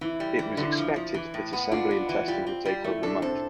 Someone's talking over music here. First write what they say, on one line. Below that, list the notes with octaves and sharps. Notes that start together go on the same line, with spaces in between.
It was expected that assembly and testing would take over a month.
E3 E4
G3
E3
D3 E4
F3
F3
E3
A2
B3
D4 F4
B3
E3
G3 F4
C4
G3
A3 E4
D4 A4
C4 A4